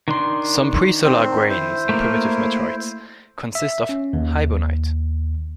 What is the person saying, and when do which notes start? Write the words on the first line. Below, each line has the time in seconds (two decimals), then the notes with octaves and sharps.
Some presolar grains in primitive meteorites consist of hibonite.
0.08 D#3 D4 C6
1.03 C4
1.49 E4 C5
1.89 A3 A#3 A#4
3.55 E5
3.89 C#4
4.13 D#2